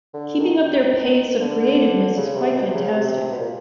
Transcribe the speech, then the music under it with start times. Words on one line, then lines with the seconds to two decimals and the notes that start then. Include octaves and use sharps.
Keeping up their pace of creativeness is quite fantastic.
0.13 D3
0.39 D#3
0.65 D#3
1.41 D3
2.17 C#3
2.36 C3
2.55 B2
2.68 C3
2.74 C#3
2.93 C3
3.31 B2
3.39 A#2